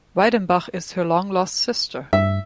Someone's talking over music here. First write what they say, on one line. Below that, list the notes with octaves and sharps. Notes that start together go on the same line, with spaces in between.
Weidenbach is her long-lost sister.
G2 E5